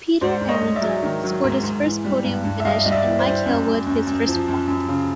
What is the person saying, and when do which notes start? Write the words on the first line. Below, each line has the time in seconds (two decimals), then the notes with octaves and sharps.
Peter Arundell scored his first podium finish, and Mike Hailwood his first point.
0.21 G#2 C5 D5
0.41 G#2
0.49 C#5 D#5
0.61 G#2
0.75 D5 E5
0.82 F#3
1.02 D#3
1.23 F#3
1.44 G#2
1.63 G#2
1.83 E3
2.05 G3
2.24 G2
2.45 G2
2.60 E5
2.65 G3 D#5 F5
2.85 G3 D#5
2.92 D5 E5
3.06 E3
3.19 C5 D5
3.26 G3
3.46 F#2
3.67 F#2
3.87 F#2
4.07 F#2
4.27 F3
4.48 F#2
4.68 F#2
4.88 C#3